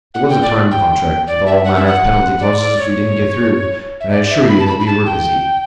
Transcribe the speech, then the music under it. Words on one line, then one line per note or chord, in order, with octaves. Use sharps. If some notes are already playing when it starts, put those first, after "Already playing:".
It was a time-contract, with all manner of penalty clauses if we didn't get through; and I assure you that we were busy.
F#5
G5
D5
G5
D5
E5
F#5
E5
F#5
D5
D5
C#5
E5
D5
E5
B5
A5
B5
B5
A5
G5